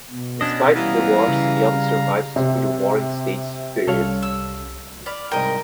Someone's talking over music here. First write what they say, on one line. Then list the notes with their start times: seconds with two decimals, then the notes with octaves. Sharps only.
Despite the wars, Yan survived through the Warring States period.
0.10 B2
0.41 B3 C#4 D4 D#5
0.75 E3 G3 F5 A#5
1.28 C#3
2.36 C3
3.87 C2 G3 C#4 A4 C#5 F5
4.23 E6
5.06 D5 B5 F6
5.32 C2 G#2 A#4 D#5 G5